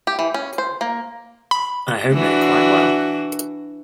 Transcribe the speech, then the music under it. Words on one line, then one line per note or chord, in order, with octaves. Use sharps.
I hope they are quite well.
G4
E3
C#4
C5
A#3
B5
E3 D4 F#4